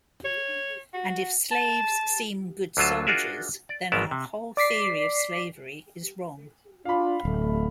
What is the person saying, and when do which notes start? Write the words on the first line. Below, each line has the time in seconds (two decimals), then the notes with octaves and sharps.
And if slaves seem good soldiers, then our whole theory of slavery is wrong.
0.25 C#5
0.94 F#4
1.51 A5
2.77 D2 D3 F#3 F4 A5
3.07 D4 F4 F#4 G#4 A#4 E5
3.69 D5
3.92 G#1 G#2 F#3 B3 A#4 A5
4.11 C3
4.57 D5 D6 B6 C7
6.85 D4 F4 F5 B5
7.25 D1 A3